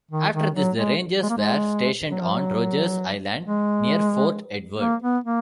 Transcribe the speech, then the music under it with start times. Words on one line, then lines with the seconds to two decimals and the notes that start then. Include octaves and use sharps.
After this, the Rangers were stationed on Rogers Island near Fort Edward.
0.11 D#3
0.33 D#3
0.55 F#3
0.77 G#3
1.23 G#3
1.30 A#3
1.38 G#3
2.11 F#3
2.21 F3
2.32 F#3
3.45 G#3
4.79 A#3
5.02 B3
5.24 A#3